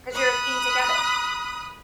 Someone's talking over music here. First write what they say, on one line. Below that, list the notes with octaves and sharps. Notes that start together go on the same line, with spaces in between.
'cause you're a team together.
B5 D#6 F#6